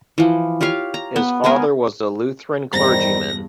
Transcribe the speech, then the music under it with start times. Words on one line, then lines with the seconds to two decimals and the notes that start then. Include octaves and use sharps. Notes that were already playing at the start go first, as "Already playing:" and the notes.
His father was a Lutheran clergyman.
0.18 E3 F3
0.61 F4 G4 C#5 F5
0.94 A#5
1.16 B3
1.44 G#3 B3 G#4 A#4
2.73 E2 G2 D#3 G3 C5 A#5 A#6